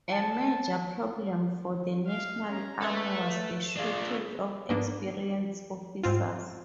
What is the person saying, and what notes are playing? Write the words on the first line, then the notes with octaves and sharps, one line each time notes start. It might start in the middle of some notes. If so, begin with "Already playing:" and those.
A major problem for the National Army was a shortage of experienced officers.
A5
F5
C#4 A#5
A4 B4 E5
D4 F4 G#4
G#2 A#3 B3 D4
G#2 C4 F4